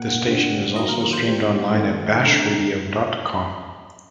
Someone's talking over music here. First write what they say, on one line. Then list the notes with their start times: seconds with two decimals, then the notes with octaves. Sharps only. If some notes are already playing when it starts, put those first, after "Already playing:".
The station is also streamed online at bashradio dot com.
Already playing: A#2 A#3 F#5
0.27 D3 G3 C4
0.76 D#3 F#3 A#3 D#5
0.89 A#4
1.00 A#4
1.13 C5
1.25 A2 G3 C4
1.74 D#3 A3 C4
2.23 D3 A3 C4 A#5